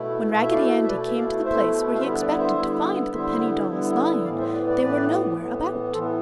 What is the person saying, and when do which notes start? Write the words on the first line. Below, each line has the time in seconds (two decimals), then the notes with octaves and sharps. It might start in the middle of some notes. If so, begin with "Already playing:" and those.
When Raggedy Andy came to the place where he expected to find the penny dolls lying, they were nowhere about.
Already playing: B2 A3 E4
0.32 B2 A3 E4 F5
0.42 E5
0.51 D5 F5
0.83 E5
0.88 B2 A3 E4 B4 D5
1.06 E5
1.16 D5 F5
1.44 B2 A3 E4 C5 E5
1.95 F5
2.00 D3 G3 B3 E4 C5 E5
2.19 B4 D5
2.38 C5 E5
2.56 D3 G3 B3 E4
3.13 D3 G3 B3 E4 C5 E5
3.69 D3 G3 B3 E4
4.24 A2 E3 B3 D5 F5
4.39 C5 E5
4.53 B4 D5
4.67 B4 D5
4.82 A2 E3 B3
5.38 A2 E3 B3
5.93 A2 E3 B3 A4 C5